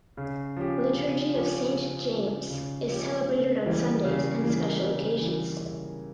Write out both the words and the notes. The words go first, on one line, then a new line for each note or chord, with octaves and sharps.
Liturgy of Saint James is celebrated on Sundays and special occasions.
C#3
F3 C#4 G4
C#3
F3 C#4 G4
C#3
F3 C#4 G4
C#3
F3 C#4 G4
C#3
E3 G3 A#3
C#3
E3 G3 A#3
C#3
E3 G3 A#3
C#3